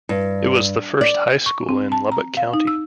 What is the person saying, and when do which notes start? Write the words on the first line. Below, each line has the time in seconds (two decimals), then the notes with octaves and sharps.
It was the first high school in Lubbock County.
0.09 G2
1.01 D5
1.46 C#6
1.69 C4
1.92 A5
2.12 A#5
2.37 F5
2.54 D#4
2.67 E6